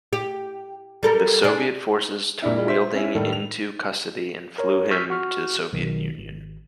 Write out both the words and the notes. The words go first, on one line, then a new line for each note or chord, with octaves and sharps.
The Soviet forces took Weidling into custody and flew him to the Soviet Union.
G4
G3 A4 A#4
D4 G#4
A#2 G3 D4 E4
G3 G#3 F4
C5 E5 B6
C#4 E4
A2 D#3 G3 A4
F7
A#4 C#5
C#6 E6 F6 G6 B6
F#4 C#6 F6
B1 D#3
G#1